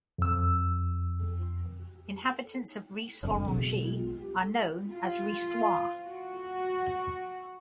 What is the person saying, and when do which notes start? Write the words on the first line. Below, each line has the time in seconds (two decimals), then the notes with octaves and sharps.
Inhabitants of Ris-Orangis are known as "Rissois".
0.19 F2 E6
3.23 F#1 F2 G#2 D3
3.48 B1 B2 G#3
4.92 F4
6.05 F#4